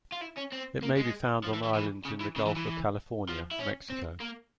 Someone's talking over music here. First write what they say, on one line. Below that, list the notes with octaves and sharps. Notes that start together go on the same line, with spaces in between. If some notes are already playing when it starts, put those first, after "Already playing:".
It may be found on islands in the Gulf of California, Mexico.
F4
E4
C#4
C4
A#3
G#3
F3
E3
E3
E3
C#3
E3
C#3
E3
E3
F3
E4
C#4
C4
A#3